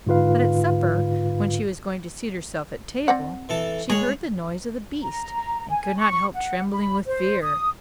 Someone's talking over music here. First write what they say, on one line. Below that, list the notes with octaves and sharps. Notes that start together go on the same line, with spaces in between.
But at supper, when she was going to seat herself at table, she heard the noise of the beast, and could not help trembling with fear.
G#2 D3 F4 B4 F5
C4 D5 F#5
E3 A4
G#3 G#4 C#5
A#5
G#5
C#6
F#5
B5
C5
D#6